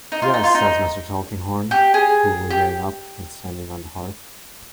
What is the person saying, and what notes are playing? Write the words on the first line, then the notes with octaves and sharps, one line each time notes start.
"Yes," says Mr. Tulkinghorn, coolly getting up and standing on the hearth.
D#4
F4
D#4
F4
D#4
G4
G#4
G4